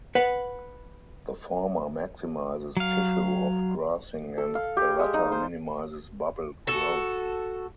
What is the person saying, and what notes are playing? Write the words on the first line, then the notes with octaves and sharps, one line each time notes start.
The former maximises tissue off-gassing and the latter minimises bubble growth.
B4 F#5
F#3 F5
A4
F5
G4
G#3
D#4
C5
F#4 A4